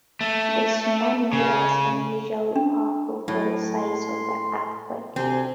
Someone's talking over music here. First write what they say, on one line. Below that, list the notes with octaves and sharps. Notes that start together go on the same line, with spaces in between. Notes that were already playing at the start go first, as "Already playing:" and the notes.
The tsunami was unusually powerful for the size of the earthquake.
A3
C#3
D4
A2 F#3
C6
D2 C3 C4 G#5